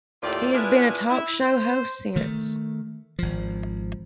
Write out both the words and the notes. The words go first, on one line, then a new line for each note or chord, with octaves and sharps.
He has been a talk show host since.
D#2 A2 F4 G4 D5
B3 D4 E4 F4 G#4 B4
E4
C5
D#3 A3
G#1 F3